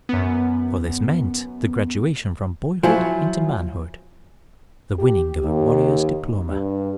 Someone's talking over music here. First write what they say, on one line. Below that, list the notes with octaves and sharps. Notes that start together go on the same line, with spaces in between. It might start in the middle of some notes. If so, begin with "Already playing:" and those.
For this meant the graduation from boyhood into manhood, the winning of a warrior's diploma.
F#2 B3
F3 F#3 E4 F4 C5 G#5
G4
D#2
G2